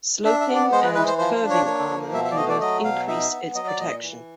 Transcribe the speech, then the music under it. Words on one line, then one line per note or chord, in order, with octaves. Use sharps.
Sloping and curving armour can both increase its protection.
D4 E5
E5
B3
D5
G#3 C5
B4
E3 B4
C5
F3 C5
C5
D4
C#5
A#3 C#5
F3
B2 E5
E5
D5
A3 D#5
D5
F#3 D#5
B2 F5
D#4 E5
B3
F#3 D#5
D5
A#2 D#5
E3